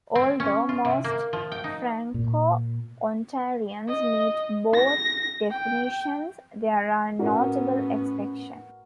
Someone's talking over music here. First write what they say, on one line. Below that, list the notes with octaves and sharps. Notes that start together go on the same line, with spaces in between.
Although most Franco-Ontarians meet both definitions, there are notable exceptions.
C4
C#4
F4
C3
A#3
F3
G5
D#4
A#2
D#5
A#6
G5
A2 B3 C#4 F#4 A#4 D5